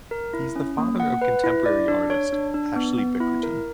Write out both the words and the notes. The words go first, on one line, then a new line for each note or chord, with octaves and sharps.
He is the father of contemporary artist Ashley Bickerton.
A#4
E4
C#4
A#3
F#5
B4
E4
D5
D4
C#5
D4
D4
B3
B3
E4
A#4